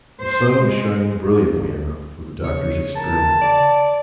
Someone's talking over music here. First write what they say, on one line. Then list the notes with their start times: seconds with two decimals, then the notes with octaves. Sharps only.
The sun was shining brilliantly enough for the Doctor's experiment.
0.21 C5
0.63 G#3
2.44 C#3 C#5
2.96 A#4 A5
3.42 D5